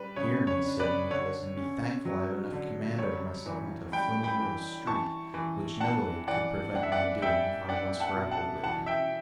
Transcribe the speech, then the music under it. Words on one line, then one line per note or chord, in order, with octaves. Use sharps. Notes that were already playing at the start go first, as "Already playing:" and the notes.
'Hear me,' said Nicholas, 'and be thankful I have enough command over myself not to fling you into the street, which no aid could prevent my doing if I once grappled with you.
Already playing: G3 B4
C#3 C#5
C#5
D4
B4 D5
D3 C#5
C#4
F#3
D3
G3 C#5
E3
G3 G5 B5
G5 B5
E3
E3 A5 C#6
E3
D4 F#5 A5
E3 D5 F#5
D4 F#5
E5
D5 F#5
G3 E5 G5
D4 D5 F#5
F#5 A5
B2
F#5 A5
E3 F#5 A5
E5 G5